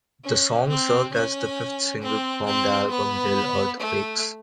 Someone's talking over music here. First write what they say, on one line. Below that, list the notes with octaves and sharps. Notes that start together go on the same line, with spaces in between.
The song served as the fifth single from the album "Little Earthquakes".
C#4
C4
C#4
C4
C4
B3
A3